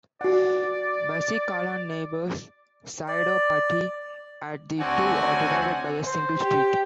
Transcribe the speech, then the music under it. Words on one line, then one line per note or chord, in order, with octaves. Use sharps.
Bassi Kalan neighbors Saido Patti, and the two are divided by a single street.
F#4 D5 F#5
D5
D2 C4 F#4 C#5 D5 F#5 G#5
C5
G4